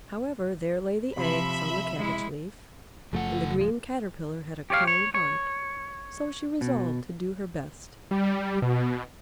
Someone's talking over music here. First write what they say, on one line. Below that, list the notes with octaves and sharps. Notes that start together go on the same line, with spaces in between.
However, there lay the eggs on the cabbage-leaf; and the green Caterpillar had a kind heart, so she resolved to do her best.
C3 F3 E5 B5
G#3 E4
F#1 C#3 F3 A3 F#5
D1 F3 G#3
G4 C#5 D5 F5
C#5
C#5
B2
G3
B2